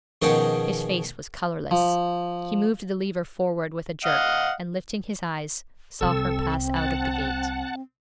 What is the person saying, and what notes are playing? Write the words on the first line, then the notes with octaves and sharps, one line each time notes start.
His face was colorless. He moved the lever forward with a jerk, and lifting his eyes, saw her pass out of the gate.
B2 D#3 F3 C#4 F#4 G#4
F3
D#5 F5 F#5
C2 G3 C4 A4 E6
F#5 A5